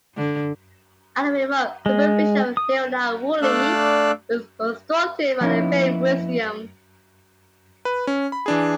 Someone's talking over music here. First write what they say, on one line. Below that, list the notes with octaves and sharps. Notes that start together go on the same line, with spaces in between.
Under the remote supervision of Leonard Woolley, it was reconstructed by the Penn Museum.
D3
G#3
D#6
A3 D4 D5 F5 E6 F#6
F3 A#3 B3 C#4 D#4 E4
B4
C#4
B5
E3 D4 G#4